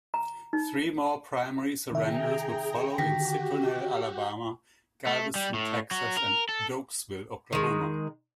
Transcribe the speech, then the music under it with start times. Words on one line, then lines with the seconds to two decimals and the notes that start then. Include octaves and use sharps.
Three more primary surrenders would follow in Citronelle, Alabama; Galveston, Texas; and Doaksville, Oklahoma.
0.14 A#5
0.53 D#4
1.92 C3 D#3 G#4 E5 G5 A#5
2.98 D3 D#3 F#4 G4 G5 A#6 B6
5.07 A3
5.35 G3
5.54 A2
5.91 F#3
6.17 A#4
6.49 A4
7.53 D#3 G#3